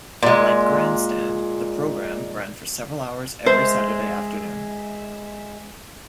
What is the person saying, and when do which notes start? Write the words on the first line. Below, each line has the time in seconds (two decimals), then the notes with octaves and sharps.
Like "Grandstand", the programme ran for several hours every Saturday afternoon.
0.23 A#2 G#3
3.46 G#3 C5 E5